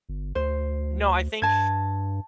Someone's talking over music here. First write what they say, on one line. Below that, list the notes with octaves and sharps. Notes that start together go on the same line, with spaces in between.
no, I think
G1
D2 C5
G2 A5 G#6